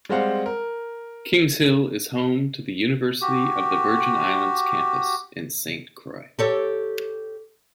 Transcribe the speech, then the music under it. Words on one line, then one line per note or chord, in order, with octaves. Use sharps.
Kingshill is home to the University of the Virgin Islands campus in Saint Croix.
G3 G#3 C4 C5 F5 F#5
A#4
F#4 G4
G4 A4 C#5